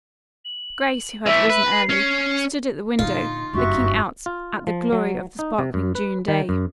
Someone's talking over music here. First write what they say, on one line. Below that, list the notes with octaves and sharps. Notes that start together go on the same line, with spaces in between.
Grace, who had risen early, stood at the window, looking out at the glory of the sparkling June day.
F#7
E3 A3 E5
B4
C7
C#4
A#2 D3 D#4 F4
F#1 G2 D#4 F#4 G4 E5 C#6
F4
F3
F#3
D#4
C3
F#2
B4
D#3
F#2